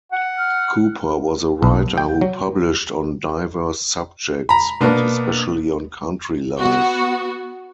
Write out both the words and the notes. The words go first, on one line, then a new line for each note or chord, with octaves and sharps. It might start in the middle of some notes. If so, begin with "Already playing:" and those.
Cooper was a writer who published on diverse subjects, but especially on country life.
F#5
F6
B1
G5
F#3
A#5 B5
B2 A#3 B3 D4
B3 F#4